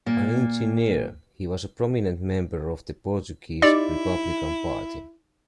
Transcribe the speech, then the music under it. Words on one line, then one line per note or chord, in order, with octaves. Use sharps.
An engineer, he was a prominent member of the Portuguese Republican Party.
A#2 A#3
D#4 E4 G4 D5 D#5